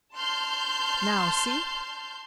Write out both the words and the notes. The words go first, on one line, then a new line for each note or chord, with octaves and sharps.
Now, see!
A5 C6 F6 G6